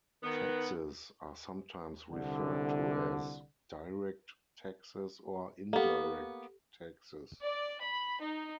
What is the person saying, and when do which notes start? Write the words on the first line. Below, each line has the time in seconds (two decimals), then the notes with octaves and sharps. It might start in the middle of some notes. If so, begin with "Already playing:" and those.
Taxes are sometimes referred to as "direct taxes" or "indirect taxes".
0.23 D#3 B3
2.11 C2 D3
5.73 A#3 B3 G4 A4
7.43 D5
7.83 B5
8.23 D#4